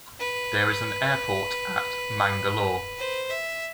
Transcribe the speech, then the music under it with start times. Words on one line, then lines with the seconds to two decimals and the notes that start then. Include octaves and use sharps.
There is an airport at Mangalore.
0.19 B4
2.99 C5
3.30 E5